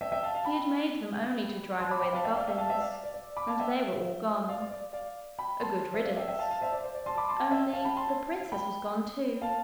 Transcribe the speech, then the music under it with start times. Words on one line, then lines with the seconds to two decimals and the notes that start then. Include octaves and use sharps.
He had made them only to drive away the goblins, and they were all gone--a good riddance--only the princess was gone too!
0.01 E5 G5
0.12 E5 G5
0.23 F5 A5
0.34 F5 A5
0.45 G5 B5
1.80 A5 C6
1.91 B5 D6
2.02 G5 B5
2.13 F5 A5
2.24 E5 G5
2.36 D5 F5
2.47 E5 G5
2.58 F5 A5
2.69 E5 G5
2.80 D5 F5
3.04 D5
3.14 D5
3.36 B5 D6
3.47 F5 A5
3.59 E5 G5
4.49 D5 F5
4.60 D5
4.71 D5
4.93 D5 F5
5.38 G5 B5
5.60 A5 C6
5.94 C5 E5
6.05 D5 F5
6.16 E5 G5
6.28 E5 G5
6.39 F5 A5
6.50 F5 A5
6.61 C5 E5
6.73 D5
6.84 C5
6.95 D5
7.06 A5 C6
7.18 B5 D6
7.28 A5 C6
7.40 F5 A5
7.51 E5 G5
7.73 F5 A5
7.85 G5 B5
7.96 A5 C6
8.52 G5 B5
9.42 F5 A5